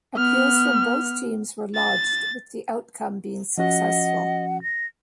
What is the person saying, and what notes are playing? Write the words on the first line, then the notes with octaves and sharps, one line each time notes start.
Appeals from both teams were lodged, with the outcome being successful.
B3 F6
A6
F3 C#4 F#4 D#5 F#5
A#6